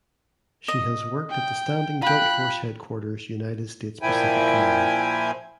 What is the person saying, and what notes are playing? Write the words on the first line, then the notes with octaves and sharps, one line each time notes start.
She has worked at the Standing Joint Force Headquarters United States Pacific Command.
D#5
G5
F4 G5 B5 F#6
A#2 F3 E4 G5 G#5